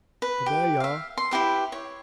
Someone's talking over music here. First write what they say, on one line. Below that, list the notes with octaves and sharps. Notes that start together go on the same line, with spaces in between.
But there ye are!
B4
G4
E5 F5
C6
E4 F#4 G4 B4
C#5